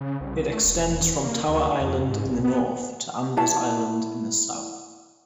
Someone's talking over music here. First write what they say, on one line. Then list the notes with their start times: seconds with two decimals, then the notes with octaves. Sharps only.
It extends from Tower Island in the north to Anvers Island in the south.
0.01 C#3
0.21 C2
0.52 A3
0.65 E1
1.24 A#3
1.48 D2
1.80 F2
2.08 G#2
2.26 B1
2.44 B3
3.37 E4 C#5 A5